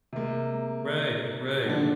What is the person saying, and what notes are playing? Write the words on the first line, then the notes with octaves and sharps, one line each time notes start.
Right. Right.
C3 G#3 A#3
A#2 D3 D#3 F3 D4